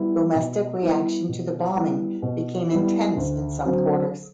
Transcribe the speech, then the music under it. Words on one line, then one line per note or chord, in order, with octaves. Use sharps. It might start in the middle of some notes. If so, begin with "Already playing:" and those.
Domestic reaction to the bombing became intense in some quarters.
Already playing: G3 B3 E4
B2
G3 B3 E4
B2
G3 B3 E4
B2
G3 B3 E4
D2
D3 F#3 C4